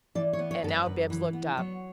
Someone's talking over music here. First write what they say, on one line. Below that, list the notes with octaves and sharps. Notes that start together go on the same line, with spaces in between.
And now Bibbs looked up.
E3 D5
C#5
B3
C#5
F#2 A4
B4
F#2
E3
B3
F#3 C#5